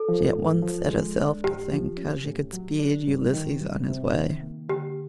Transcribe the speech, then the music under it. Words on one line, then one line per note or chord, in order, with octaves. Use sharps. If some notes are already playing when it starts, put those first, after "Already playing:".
She at once set herself to think how she could speed Ulysses on his way.
Already playing: A4
F3
G#2
F3
G#3
D4
G#2 G4
F3
C#4
A2
F#3
D4
G2
D#3
G2
C3
D#3
A#3
D3 G4